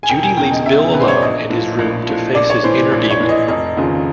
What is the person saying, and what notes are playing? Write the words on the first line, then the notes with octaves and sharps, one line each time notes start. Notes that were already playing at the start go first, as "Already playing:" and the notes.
Judy leaves Bill alone in his room to face his inner demon.
G#5
E1 G5
G#5
E2 C#3 G5
D#5
E1 E5
E2 C#3 B4
C5
C#5
D5
A#1 D#5
A2 F3
A#1
A2 F3
A#1 D5
C#5
A2 E3 C5
A#1
C#5
A2 E3
D#5
F1 D#5
D#2 C#3 F3